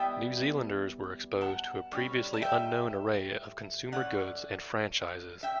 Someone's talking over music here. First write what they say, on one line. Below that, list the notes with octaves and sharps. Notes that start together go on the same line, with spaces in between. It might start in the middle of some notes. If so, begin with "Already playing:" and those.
New Zealanders were exposed to a previously unknown array of consumer goods and franchises.
Already playing: E3 G3 B3 E5 G5
F#5 A5
A2 G3 C#4
A5
E5 G5
E3 A3 C#4 D5 F#5
E5 G5